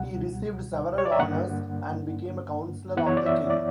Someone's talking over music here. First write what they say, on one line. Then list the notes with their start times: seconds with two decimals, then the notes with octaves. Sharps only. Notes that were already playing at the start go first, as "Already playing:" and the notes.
He received several honours and became a counselor of the king.
Already playing: C#2 B2 G3 F#5
0.98 C#5
1.05 D5
1.12 E5
1.19 G2 D3 A#3 D4 F#5
2.97 F#2 E3 B3 E4 F#5
3.07 C#5
3.17 D5
3.26 E5
3.50 D5